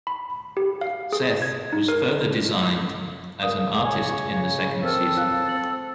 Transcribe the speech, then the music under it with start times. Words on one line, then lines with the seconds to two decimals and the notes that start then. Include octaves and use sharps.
Seth was further designed as an artist in the second season.
0.07 B5
0.57 G4
0.81 F5
1.13 G#4
1.42 G#6
1.73 D#4
1.88 A#4
3.42 C#3 A#4 F5 D#6
3.84 C#5 G#5
4.84 C4 A4 A#4 E6 F6
5.17 F5 F#6
5.49 C4 F#7